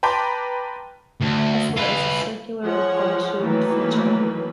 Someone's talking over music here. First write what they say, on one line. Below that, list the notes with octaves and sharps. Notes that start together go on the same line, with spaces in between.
Tesla is a circular, bowl-shaped feature.
B4 G5 A5 A#5 C6 D6
D2
F4 B4
F3 G#4 C#5 F#5
D#3 E3 F#3 A3 A#3 B4